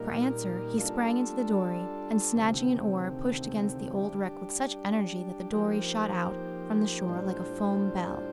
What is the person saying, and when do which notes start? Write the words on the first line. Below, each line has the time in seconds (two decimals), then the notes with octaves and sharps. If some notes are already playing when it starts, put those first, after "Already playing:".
For answer he sprang into the dory and, snatching an oar, pushed against the old wreck with such energy that the dory shot out from the shore like a foam bell.
Already playing: A#2 G3 A#3 D#4 A#4
0.78 G3 D4 F4 A4
2.35 D2 C3 D#3 A3 C4
3.93 G3 D4 G4
5.50 F3 A#3 D#4 G4 C5
7.08 A2 G3 D4 F4 C5